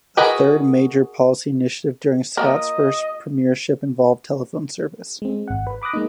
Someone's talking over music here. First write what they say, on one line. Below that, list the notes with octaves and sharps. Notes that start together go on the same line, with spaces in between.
A third major policy initiative during Scott's first premiership involved telephone service.
F#4 G#4 A#4 B4 D#5
F3 A#3 A#4 D#5
G#3 C4
G#1 F#5
B4
B5 D6 D#6 F#6 A#6
G#3 A#3 D#4